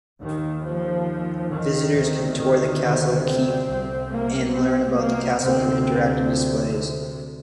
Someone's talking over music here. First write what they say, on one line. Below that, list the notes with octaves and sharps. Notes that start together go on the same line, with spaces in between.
Visitors can tour the castle keep and learn about the castle through interactive displays.
D#2 D#3
F3
D#3
D2 C3
D#3
D#3
C4
C2 C3
A#3
C4
A#3
D2 C3 C4